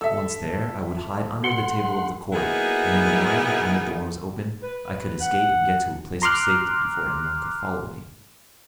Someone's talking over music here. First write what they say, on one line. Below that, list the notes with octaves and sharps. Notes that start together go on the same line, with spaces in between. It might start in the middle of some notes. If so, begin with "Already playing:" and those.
Once there, I would hide under the table of the court, and in the morning, when the door was opened, I could escape and get to a place of safety before anyone could follow me.
A4 E5 E6
F#5 C6
F#3 A#3 B3 D#4 E4 G#4
B4
F#5
A#5 C6 D6 F6 F#6